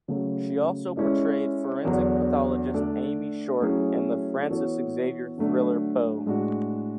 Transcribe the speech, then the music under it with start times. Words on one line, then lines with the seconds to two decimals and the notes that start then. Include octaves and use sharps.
She also portrayed forensic pathologist Amy Short in the Francis Xavier thriller Poe.
0.08 C#3 F#3 A3
0.96 G#3 C#4 E4 A4 D5
1.84 E2 D3 F#3 B3 D4
2.73 D3 A3 D4 A4 D5
3.61 F#3 A3 C#4 E4 G#4
4.50 E3 B3 F#4 A4 C#5
5.38 D3 F#3 A3 D4
6.26 A2 G#3 D4 F#4